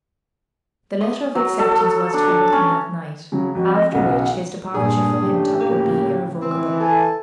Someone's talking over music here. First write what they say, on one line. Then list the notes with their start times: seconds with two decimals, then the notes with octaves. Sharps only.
The letter of acceptance was to be written that night, after which his departure from Hintock would be irrevocable.
1.01 D#6
1.35 F#3
1.59 A4
1.71 A4
2.14 D4
2.28 A5
2.53 C#4
3.32 C#3 F#3
3.55 F2 F#4
3.74 D#5
3.92 B1 C#3 F#5
4.74 G2 A#2 D4 G#4 G#5
5.22 A2 C#3 G4
5.60 A#3
6.41 E3 C4
6.80 A4 G#5